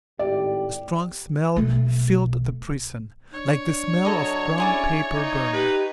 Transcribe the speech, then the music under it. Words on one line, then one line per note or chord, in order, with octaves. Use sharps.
A strong smell filled the prison, like the smell of brown paper burning.
G#1 A2 G4 D5
B1 A3
D4 C#5
F#3 A4 D#5
C#4 E4 G#4 D5
D#4
G4 B4